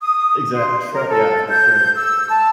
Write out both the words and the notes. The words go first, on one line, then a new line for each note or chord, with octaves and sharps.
exact, tra yeah, for sure.
D#6
C6
A#4
A4
G6
E6
A5